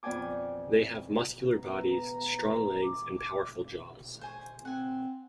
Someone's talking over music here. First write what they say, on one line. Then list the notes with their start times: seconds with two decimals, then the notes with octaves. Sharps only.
They have muscular bodies, strong legs, and powerful jaws.
0.03 F2 B3 D5 G5 G#5 D6
1.47 B3 A#5
2.84 D6
4.21 C5 G#5 C#6
4.65 C4 F#5 G#5